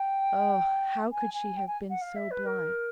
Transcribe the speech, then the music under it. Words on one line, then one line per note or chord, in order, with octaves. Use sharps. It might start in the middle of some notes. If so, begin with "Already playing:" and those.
Oh! how could she have been so blind?
Already playing: G5
G#5
G#5
G5
G#5
F#5
F5
E5
B4
A#4